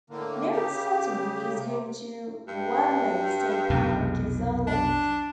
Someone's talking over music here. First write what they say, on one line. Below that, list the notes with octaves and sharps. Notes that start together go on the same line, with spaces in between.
North Sutton is home to Wadleigh State Park on Kezar Lake.
A2 D3 A#3
C#3 G4
C3
G2
B1 F2 C3
D4